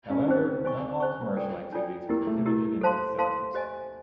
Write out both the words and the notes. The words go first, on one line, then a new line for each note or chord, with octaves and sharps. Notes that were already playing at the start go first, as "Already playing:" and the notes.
However, not all commercial activities are prohibited in these zones.
C#4
C4 D#4 G#4 C5 D#5
C4 C5 D#5 G#5 C#6
C5 D#5 G#5 C#6
D4 F4 A4 D5 G5
D4 F4 A4 D5 G5
A#3 E4 G4 A#4
A3
E4 G4 A#4
A4 C5 F5 A5 C6
A4 C5 F5 A5 C6
G4 C5 D#5 G#5